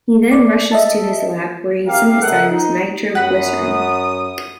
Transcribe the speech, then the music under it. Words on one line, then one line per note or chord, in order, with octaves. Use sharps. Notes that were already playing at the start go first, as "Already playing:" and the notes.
He then rushes to his lab, where he synthesizes nitroglycerin.
D5
D#5 E5 A5
C4 E4 G4 A#4 F5
C#3 A4 A#4 D#5 E5 F#5
D#4
F#2 F#5 B5 D#6